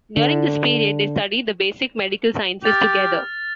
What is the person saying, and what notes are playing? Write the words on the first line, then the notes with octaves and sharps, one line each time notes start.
During this period they study the basic medical sciences together.
D3
G4 F6 A6 F7